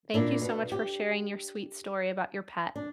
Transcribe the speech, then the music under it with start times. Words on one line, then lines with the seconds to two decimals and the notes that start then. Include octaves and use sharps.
Thank you so much for sharing your sweet story about your pet.
0.14 A#2 D4 E4
0.42 B2
0.72 G4
2.76 D4